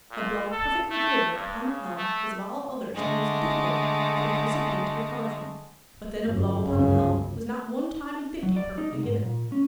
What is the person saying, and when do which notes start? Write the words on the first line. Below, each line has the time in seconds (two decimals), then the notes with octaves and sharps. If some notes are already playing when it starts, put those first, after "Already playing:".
A blow perfectly delivered upon the helm was of all others the most difficult for the recipient to recover from, but then a blow upon the helm was not one time in fifty perfectly given.
0.11 A#2
0.50 A4
0.91 A3
1.34 G2
1.64 C#3
1.97 A3
2.93 D3 G#3 A3
6.23 G1 F#2
6.65 G1 C#2 F#2 C#3
8.43 F#3
8.56 D5
8.78 D#4
8.92 C2
9.03 G#2
9.23 A#2
9.52 C#4